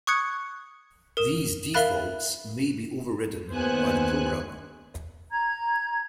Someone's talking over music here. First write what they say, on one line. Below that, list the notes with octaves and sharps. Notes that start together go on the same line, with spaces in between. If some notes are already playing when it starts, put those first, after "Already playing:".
These defaults may be overridden by the programmer.
C#6 D#6 F#6 G#6 C#7
A#4 D#6 E7
A#4 E5 F5 B5 F#6 A6
D#2 B3 C5 G#5 F#6
A#5 G#6